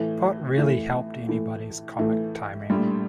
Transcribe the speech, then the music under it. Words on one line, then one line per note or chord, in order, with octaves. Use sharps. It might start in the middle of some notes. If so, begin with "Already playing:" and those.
Pot rarely helped anybody's comic timing.
Already playing: A2 E3 A3
A2 E3 A3
A2 E3 A3
A2 E3 A3
A#1 A2 G3